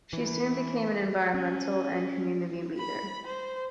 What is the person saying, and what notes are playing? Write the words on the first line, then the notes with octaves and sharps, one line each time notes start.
She soon became an environmental and community leader.
E3
C#4
B5
C5